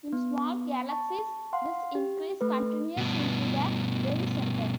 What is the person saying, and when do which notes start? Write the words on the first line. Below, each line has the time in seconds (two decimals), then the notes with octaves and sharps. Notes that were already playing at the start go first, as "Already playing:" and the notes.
In small galaxies, this increase continues into the very center.
0.13 B3
0.90 A5 C#6
1.53 F5 F#5 C6
1.95 G4
2.41 A3 B4
2.97 G2 B2